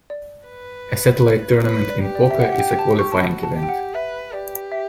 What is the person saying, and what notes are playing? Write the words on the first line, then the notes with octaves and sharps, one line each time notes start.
A satellite tournament in poker is a qualifying event.
D5
B4
B4 C#5
D5
G4
D5
E5
F#5
F#5
G5
G5
A5
C#6
A5
F#4 B5
A5
G4
G5
F#5
B4 E5
G4 D5
E5